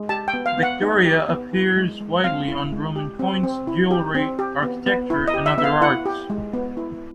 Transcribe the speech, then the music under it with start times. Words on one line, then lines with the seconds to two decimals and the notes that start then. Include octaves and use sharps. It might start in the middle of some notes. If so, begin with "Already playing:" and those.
Victoria appears widely on Roman coins, jewelry, architecture, and other arts.
Already playing: G#3
0.09 G4 A5
0.28 G5
0.34 B3
0.46 F5
0.58 B3
0.63 F#5
0.82 D#4
1.05 G4
1.29 B3
1.53 E4
1.77 G#3
2.01 G#3
2.24 C4 F5
2.48 E4
2.72 G#3
2.96 G4
3.19 C4
3.44 C4
3.67 E4
3.91 G4
4.15 C4
4.39 G4
4.62 B3
4.86 B3
5.10 E4
5.28 D#5
5.34 G4
5.46 E5
5.58 B3 E5
5.64 F5
5.81 E4 F#5
6.06 G4
6.30 G#3
6.53 B3
6.77 E4